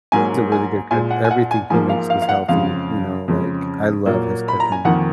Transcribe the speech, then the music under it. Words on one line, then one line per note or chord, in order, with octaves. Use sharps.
He's a really good cook. Everything he makes is healthy, you know, like, I love his cooking.
G#2 F#3 A#3 G#5
G#5
A#2 G#3 G#5
F#5
G#5
F#5
G#5
G#2 F3 A#3 G#5
F5
F5
F5
F#5
F2 C#3 G#3 F5
F2 C#3 G#3
A#2 F#3 A#3
B5
A#5
G#5
F2 D#3 A#3 F#5